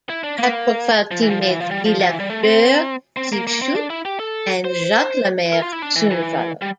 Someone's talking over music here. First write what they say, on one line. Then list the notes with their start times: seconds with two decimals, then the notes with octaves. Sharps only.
High-profile teammates Guy Lafleur, Steve Shutt and Jacques Lemaire soon followed.
0.09 E4
0.23 D4
0.38 A#3
1.11 F3
1.22 E3
1.31 F3
1.42 F3
1.51 E3
1.60 F3
1.71 G3
1.85 F3
2.00 F3
2.09 E3
2.20 G3
2.30 A3
2.43 C4
3.17 C4
3.33 A#3
3.47 A#3
3.62 C4
3.75 D4
3.90 E4
4.05 G4
4.20 A4
4.65 C5
5.53 A#4
5.62 F4
5.72 E4
5.82 D4
5.96 E3
6.11 E3
6.62 G3